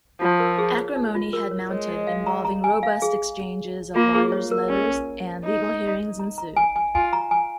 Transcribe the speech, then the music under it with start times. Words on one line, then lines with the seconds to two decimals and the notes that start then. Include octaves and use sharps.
Acrimony had mounted, involving robust exchanges of lawyers' letters, and legal hearings ensued.
0.21 F3 F4
0.40 A#4
0.58 G#4
0.77 C#5
0.96 D#4
1.15 F4
1.33 A#4
1.51 C#5
1.70 G#3 C#5
1.89 D#5
2.07 F5
2.27 A#5
2.45 A#5
2.64 G#5
2.83 F5
3.02 G#4
3.95 A#3 F4
4.14 G#4
4.32 C#5
4.51 A#4
4.70 C#4
5.45 D#4
6.19 A#5
6.38 A#5
6.57 G#5
6.76 G#5
6.95 F4 G#5
7.13 A#5
7.31 G#5